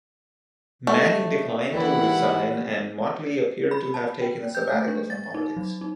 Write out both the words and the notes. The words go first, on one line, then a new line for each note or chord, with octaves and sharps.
Manning declined to resign and Mottley appeared to have taken a sabbatical from politics.
A3 D4 C#5 D#5
E3 A#3 E4 G4 D5 F#5
B5
A5
G5
G6
A3
D4
A6
D#4
F#3
D#4